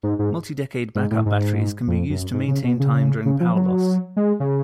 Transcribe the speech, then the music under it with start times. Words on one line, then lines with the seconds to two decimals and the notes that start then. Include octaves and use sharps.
Multi-decade backup batteries can be used to maintain time during power loss.
0.03 G#2
0.19 G#2
0.95 G#2
1.11 A2
1.26 G#2
1.88 F2
2.10 F#2
2.33 G#2
2.48 C#3
2.64 B2
2.80 C#3
3.25 C#3
3.40 F3
3.55 F#3
4.17 G#3
4.40 C#3